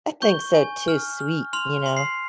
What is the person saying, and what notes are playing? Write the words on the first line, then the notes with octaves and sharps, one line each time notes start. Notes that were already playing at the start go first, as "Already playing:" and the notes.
I think so too sweet, you know?
C#6 G6 G7
G#5
F6
F6
C6 F6 F7
C6
C6 C7